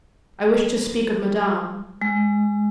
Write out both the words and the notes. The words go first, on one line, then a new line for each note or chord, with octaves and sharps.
"I wish to speak of Madame."
G#3